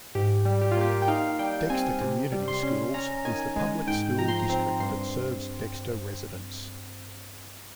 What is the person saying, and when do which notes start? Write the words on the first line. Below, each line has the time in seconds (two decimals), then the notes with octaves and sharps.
"Dexter Community Schools" is the public school district that serves Dexter residents.
0.15 G#2 G4
0.45 G3
0.61 G4
0.71 F4
0.77 A#3 G4
1.02 G5
1.08 D#4 F5
1.39 G3 G5
1.70 C4 G#5
2.01 C3
2.32 G3
2.48 C6
2.63 C#4
2.94 C#4 A#5
3.25 D#3 G#5
3.56 G#3 G#5
3.87 G#2 G5
4.18 F3 A#5
4.28 C6
4.39 A#5
4.49 C4 A#5
4.80 G2 C6